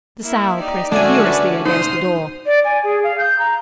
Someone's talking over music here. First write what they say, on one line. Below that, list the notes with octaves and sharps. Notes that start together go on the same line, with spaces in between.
The sow pressed furiously against the door.
A#3 E4 E5
D#4 G4 D5
D3 G#3 A3 C#4 D4 F#4 G#5
B4 D5
B1 D#4 C5 C6 D#6 F6
D5
G#5
G#4
F5
G6
A#5